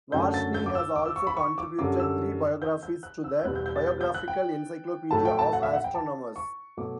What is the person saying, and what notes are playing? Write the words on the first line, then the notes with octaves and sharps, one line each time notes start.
Varshni has also contributed three biographies to the "Biographical Encyclopedia of Astronomers".
F#2 D3 F#3 A3 G6
A6
G6
D6
E6
D6
E6
C#6
B5
C#6
D6
F#2 D3 G3 D6
E6
G6
G6
F#6
E6
G6
E2 B2 G3 F#6
G6
G6
A6
G6
G6
F#6
G5
A2 F#3 A3 A5
G5
A5
F#5
E5
F#5
G5
A5
C#6
B2 F#3 A3 D6